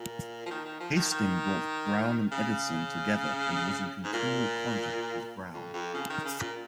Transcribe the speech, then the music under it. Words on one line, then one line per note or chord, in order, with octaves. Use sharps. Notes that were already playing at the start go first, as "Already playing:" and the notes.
Hasting brought Brown and Edison together and was in continual contact with Brown.
Already playing: A#2
F3
D#3
D#3
F3
D#3
D#3
C#3
G#2
A#2
F2
F2
C#3
D#3
C#3
A#2